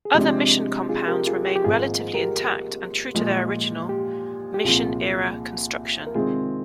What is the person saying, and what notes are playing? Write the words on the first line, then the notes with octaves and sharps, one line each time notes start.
Other mission compounds remain relatively intact and true to their original, Mission Era construction.
G#4
C3 F3 G#3 D4 G4
F4 G#4
G4 A#4
F4 G#4
G4
G4
G#1 G#2 F3 A#3 F4 G#4
G4 A#4
A#2 F3 G#3
G4
G4
C2 A#2 F3 F4 G#4
A#4
C3 D#3 G#3 C4 F4 G#4